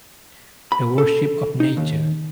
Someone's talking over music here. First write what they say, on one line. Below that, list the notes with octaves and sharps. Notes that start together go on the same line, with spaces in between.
The Worship of Nature.
B5
A4
D#4
D#2